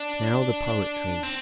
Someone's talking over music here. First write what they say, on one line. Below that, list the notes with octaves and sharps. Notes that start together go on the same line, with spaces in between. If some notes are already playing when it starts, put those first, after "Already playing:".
"Now the poetry."
Already playing: D4
C4